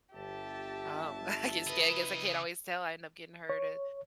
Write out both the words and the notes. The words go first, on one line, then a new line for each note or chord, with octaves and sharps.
Oh, I guess I guess I can't always tell. I end up getting hurt and
G1 G4 E5 A5
C#3 E4 B4 D#5
C#5